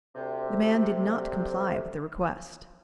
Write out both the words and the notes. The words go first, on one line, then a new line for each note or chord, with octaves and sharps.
The man did not comply with the request.
D2 C3